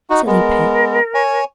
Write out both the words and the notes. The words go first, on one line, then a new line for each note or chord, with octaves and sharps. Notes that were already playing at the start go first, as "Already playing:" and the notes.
Silly pet!
D#4 F#4
G#3 B3 A#4
C#5 G#5